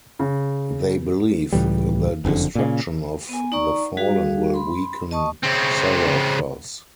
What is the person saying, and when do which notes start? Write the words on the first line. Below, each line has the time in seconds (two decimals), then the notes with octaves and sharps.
They believe the destruction of The Fallen will weaken Zarathos.
0.19 C#3
1.52 C#2 A2 E3 G3
2.25 F#1 F2 A#2 D3
2.55 A#2 C#3
3.29 B3 G#5
3.52 D#4 D5 A#5 C#6
3.97 G3 F#4 G#4 F5
4.54 B5 C6
5.11 D#5 A5 C#6 D#6
5.44 C#3 C4